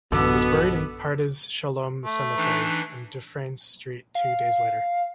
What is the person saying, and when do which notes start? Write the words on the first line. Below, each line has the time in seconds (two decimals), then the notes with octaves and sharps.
He was buried in Pardes Shalom Cemetery on Dufferin Street two days later.
0.12 A1 F#2 B2 D3 B3 A4 D6
2.05 A3
2.37 E3 D4 D#4
4.15 F5